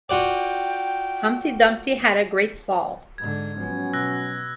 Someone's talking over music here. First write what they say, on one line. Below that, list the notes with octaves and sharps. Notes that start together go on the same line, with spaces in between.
Humpty Dumpty had a great fall.
F4 F#4 D5 G5
G#2 D3 G#6
F3 F#3 B3 C#4
B2 E6 F#6 A#6